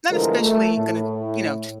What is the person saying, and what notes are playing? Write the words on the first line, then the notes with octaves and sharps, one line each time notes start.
not especially gonna, you know, t
D3 E3 F3 G#3 A3 A#4
A3
A2